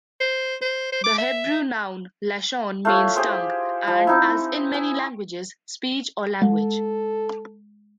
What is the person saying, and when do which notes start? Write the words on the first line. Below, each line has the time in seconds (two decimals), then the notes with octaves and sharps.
The Hebrew noun "lashon" means "tongue", and as in many languages, "speech" or "language".
0.20 C5
0.61 C5
0.92 C5
1.04 D6
1.18 E5
2.85 A3 F4 C#5
3.16 G4 G#4 C5
3.88 F3
4.07 C4 D#4 E4
4.74 G#5
6.42 G#3 A4